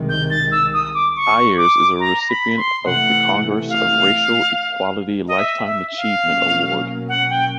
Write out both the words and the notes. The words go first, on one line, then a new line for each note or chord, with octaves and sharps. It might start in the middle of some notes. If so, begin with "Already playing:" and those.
Ayers is a recipient of the Congress of Racial Equality Lifetime Achievement Award.
Already playing: C2 C3 D#3 G#3
G6
A6
E6
D#6
D6
C#6
D6
A#5
B5
C6
C3 E3 A3 F#5
F5
D#5
E5
E5
F5
B2 F#3 A#3 C#4
F#5
G5